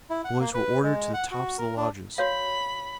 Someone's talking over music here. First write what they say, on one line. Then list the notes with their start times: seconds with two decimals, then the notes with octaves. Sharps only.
The boys were ordered to the tops of the lodges.
0.10 E4
0.25 F#5
0.40 A#3
0.54 B4
0.83 G#3
1.14 F#5
1.31 F#4
1.58 A#4
1.77 D4
2.18 F#4 C#5 F5 B5